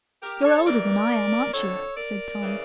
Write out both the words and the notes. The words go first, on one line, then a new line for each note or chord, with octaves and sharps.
"You're older than I am, aren't you?" said Tom.
G4 A#4
A4 C#5
G2 E3 A#4 D5
F2 D3 A4 C#5
A#4 D5
C#3 E3